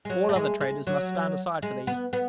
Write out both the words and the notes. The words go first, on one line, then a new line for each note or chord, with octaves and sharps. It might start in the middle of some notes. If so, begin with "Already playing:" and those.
All other traders must stand aside for these.
G#3
F#3
A3
G#3
G#3
F#3
G#3
B3
B3